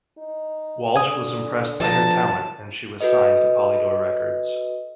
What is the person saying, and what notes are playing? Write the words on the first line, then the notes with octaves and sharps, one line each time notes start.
Walsh was impressed by her talent and she was signed to Polydor Records.
D#4
D3 G#5 D#6
F3 B3 A5 A#5
F#4 A4 B4 D#5